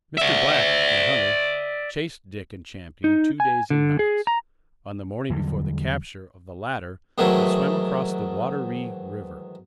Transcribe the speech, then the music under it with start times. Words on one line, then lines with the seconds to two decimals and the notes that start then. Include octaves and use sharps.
Mr. Black, the hunter, chased Dick and Champion two days and nights; on the morning before the capture of the latter they swam across the Water-ree river.
0.17 D5 E5
3.04 D#4
3.40 G#5
3.70 D3
3.99 G#4
4.27 A#5
5.30 E2 D3 F#3 G3
7.18 G#2 D#3 E3 F#3 A3